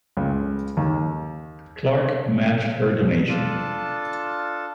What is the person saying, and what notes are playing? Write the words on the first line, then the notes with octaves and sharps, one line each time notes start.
Clarke matched her donation.
C#2
D#2
D4 F4 A4 A5